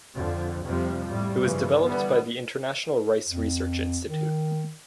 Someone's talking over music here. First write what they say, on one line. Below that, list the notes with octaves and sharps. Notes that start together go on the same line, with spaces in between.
It was developed by the International Rice Research Institute.
F2 D3
F2 C3 F3 G3
A2 G3
G2 C#3 E3 F3
D3 E3 G3 B3
F2
D#3